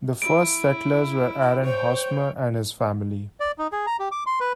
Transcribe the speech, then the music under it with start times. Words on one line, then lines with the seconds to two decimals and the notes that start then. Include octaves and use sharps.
The first settlers were Aaron Hosmer and his family.
0.22 E4 D7
1.65 C5 C#5 G5
3.40 D5
3.58 D#4
3.72 G#4
3.87 A#5
3.99 G4
4.12 D6
4.26 C6
4.40 B4